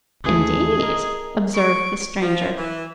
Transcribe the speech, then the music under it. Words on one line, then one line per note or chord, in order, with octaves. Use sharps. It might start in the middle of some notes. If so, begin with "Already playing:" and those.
"Indeed?" observed the Stranger.
D#2 E3 A3 G#4
A#4 D#5
C#6 D7
F3
E3